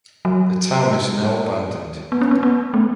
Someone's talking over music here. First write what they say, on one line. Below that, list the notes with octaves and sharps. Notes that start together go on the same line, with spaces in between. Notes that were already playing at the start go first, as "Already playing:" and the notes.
The town is now abandoned.
F#3
B3
C#4
B3
B3
A3